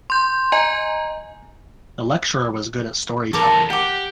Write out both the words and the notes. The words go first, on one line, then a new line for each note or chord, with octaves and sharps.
The lecturer was good at storytelling.
C6 G6
D#5 G#5 A#5
E2 A4 A#4 A5 D6
G4 F#5 D6